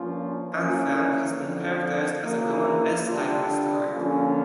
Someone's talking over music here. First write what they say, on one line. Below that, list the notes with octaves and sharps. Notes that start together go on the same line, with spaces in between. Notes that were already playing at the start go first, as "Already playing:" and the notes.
"Annefrank" has been characterized as a common S-type asteroid.
Already playing: G2 F3 A#3 C#4 F4
E3 A#3 C#4
F2 D3 F3
D2 C#3 E3 A#3
D3 G3 D4 F4
D3 F3 A#3 C#4